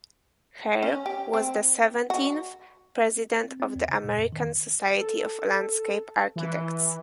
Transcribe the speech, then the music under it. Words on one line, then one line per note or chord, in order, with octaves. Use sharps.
Hare was the seventeenth president of the American Society of Landscape Architects.
C#4
G4
C4
F#4
C4
C4
E2
C#3
A#2
F2
D#3
A4
E3